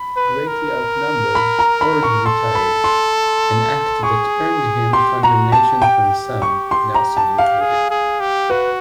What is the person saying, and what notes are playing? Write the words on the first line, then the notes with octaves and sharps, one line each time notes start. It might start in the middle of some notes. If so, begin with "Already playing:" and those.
Greatly outnumbered Orde retired, an act that earned him condemnation from some, Nelson included.
Already playing: B5
B4
A#4
B5
A#5
B5
C#6
A4 C6
B5
C6
G#4 C#6
G4 C6
F#4 A#5
G4 A5
G5
C#6
C6
A#5
A5
F5
G#4
G#4
G4
F#4 B4